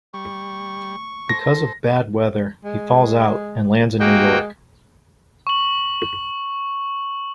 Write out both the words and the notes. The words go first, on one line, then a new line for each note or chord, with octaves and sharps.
Because of bad weather, he falls out and lands in New York.
G3 C#6
A4 C5 A#6
G#3
G#3 A#3 F#4 G5
C#6 F#7